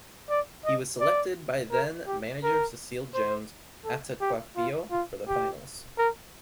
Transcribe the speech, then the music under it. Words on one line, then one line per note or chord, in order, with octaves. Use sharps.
He was selected by then manager Cecil Jones Attuquayefio for the finals.
D5
D#5
D5
A#4
G4
A#4
C5
A4
G4
F4
F4
G4
A#4